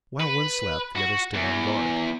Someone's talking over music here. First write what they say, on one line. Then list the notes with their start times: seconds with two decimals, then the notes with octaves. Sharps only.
While one slept, the other stood on guard.
0.21 B4
0.96 F#4
1.34 E2